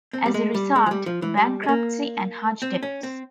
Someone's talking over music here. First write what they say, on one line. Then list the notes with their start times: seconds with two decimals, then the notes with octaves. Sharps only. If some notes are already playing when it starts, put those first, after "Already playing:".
As a result, - bankruptcy and huge debts.
0.13 C4
0.26 G3
0.34 G#3
0.55 G3
0.76 G#3
0.86 F3
0.91 G3
1.06 F3
1.22 E3
1.37 G3
1.63 G#3
1.69 A#3
2.62 C4
2.83 C#4
3.03 C4